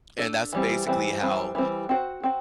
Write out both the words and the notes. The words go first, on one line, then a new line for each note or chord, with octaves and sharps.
And that's basically how
D4 A4 D5
E3 G3 C4
E3 G3 C4
E3 G3 C4
E3 G3 C4
C4 F#4 C5
C4 F#4